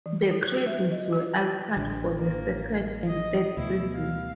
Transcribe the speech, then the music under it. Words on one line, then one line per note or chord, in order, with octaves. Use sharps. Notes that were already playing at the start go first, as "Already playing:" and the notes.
The credits were altered for the second and third seasons.
E3
E4
F#4
E5
D#5
F4
A1 D3
A#3
D#5
D2 B2 E4
F5